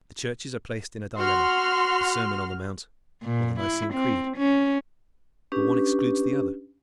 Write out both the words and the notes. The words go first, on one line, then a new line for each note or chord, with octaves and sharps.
The churches are placed in a dilemma: the Sermon on the Mount or the Nicene Creed--the one excludes the other.
F#4 C6 F6
A#2
E4
C4
C#4
C#4 D4 G4 B4